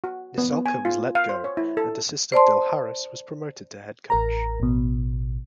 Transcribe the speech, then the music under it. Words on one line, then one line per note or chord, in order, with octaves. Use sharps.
Nissalke was let go, and assistant Del Harris was promoted to head coach.
F#4
B3
B3
G#5
F4
F5
C5
C#5
E4
A4
C5 D5 A5 C6
A1 A#4 A#5
A1 B2